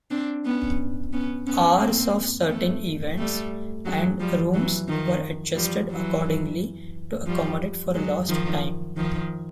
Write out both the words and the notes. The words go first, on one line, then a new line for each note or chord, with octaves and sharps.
Hours of certain events and rooms were adjusted accordingly to accommodate for lost time.
C4 D4
B3 C#4
B3 C#4
B3 C#4
A#3 C4
A3 B3
G3 A3
F#3 G#3
F3 G3
E3 F#3
D#3 F3
F3 G3
E3 F#3
F3 G3
F#3 G#3
D#3 F3
D#3 F3